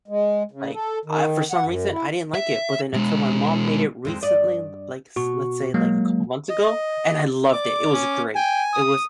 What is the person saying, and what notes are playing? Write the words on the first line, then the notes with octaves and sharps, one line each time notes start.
Like, I for some reason, I didn't like it. But then until my mom made it recently, like, let's say, like, a couple months ago, and I loved it. It was great. It was
G#3
C#3
A4
D#3
F#5
F#2
E4
E5
B2 G#3
F2 G#3 C4
G2 D5 D#5
B2 F#4 C#6
F#3 G#3 A#3
D#5
D5 D6
C#4
G5 G#5
D#6